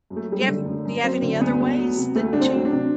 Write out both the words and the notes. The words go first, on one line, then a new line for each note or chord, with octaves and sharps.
Do you have do you have any other ways that you
F#2
A3
F#3 G3
A3
D3
F#2
F#2
F#3 C4
D3
D2 B3
D2
F#3
C3
D2 A3
D2 D4
C4
F#3
D4
C3